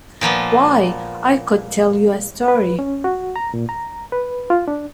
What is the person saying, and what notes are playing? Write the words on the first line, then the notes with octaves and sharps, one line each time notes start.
Why, I could tell you a story.
A#2 F3 A#3 B3
B4
C#4
F#4
A#5
A#2
A#5
B4
F4
D4